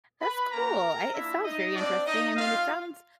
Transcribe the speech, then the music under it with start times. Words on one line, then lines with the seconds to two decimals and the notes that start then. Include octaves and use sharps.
that's cool, I it sounds very interesting, I mean, it sounds
0.21 B4 B5
0.52 A#3 C#4 F#4 A#4 A#5
1.13 A#3 D4 E4 F4 E5
1.44 D#4 D#5
1.75 C4 D4 F4 D5
2.05 D#4 D#5
2.36 G3 C4 D#4 F4 F5